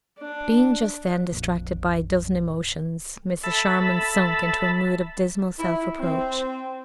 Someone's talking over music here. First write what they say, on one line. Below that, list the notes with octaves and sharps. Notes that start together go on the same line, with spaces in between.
Being just then distracted by a dozen emotions, Mrs. Charmond sunk into a mood of dismal self-reproach.
D4
A#1 F2
A4 E5 A5 B5
E4
C4